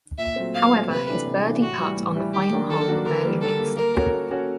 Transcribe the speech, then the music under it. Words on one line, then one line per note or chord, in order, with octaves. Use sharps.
However his birdie putt on the final hole barely missed.
A#2 E5
F#3 A3 C4
A#2 F5
F#3 A3 C4
C3 B4
E3 A3 D4
C3
E3 A3 D4
A2 F#4
E3 G3
A2
E3 G3
D#3 G4
F#3 A#3 D4 F#4
D#3 A4
F#3 A#3 D4 F#4
D3 A#4
G3 A#3
D3 A4
G3 A#3
A#3 A#4
C#4 F#4 A4 C#5
A#3
C#4 F#4 A4 C#5